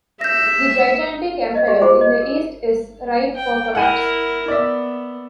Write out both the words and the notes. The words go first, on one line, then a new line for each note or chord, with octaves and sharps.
The gigantic empire in the East is ripe for collapse.
E5 G6 A#6
D#5 E5
G4 G#4 E5 F5
F4 G4 G#4 C5 F#5 D6
D#5
A#4
G5
E4 A#4 F#5 D#7
B3 D5 E5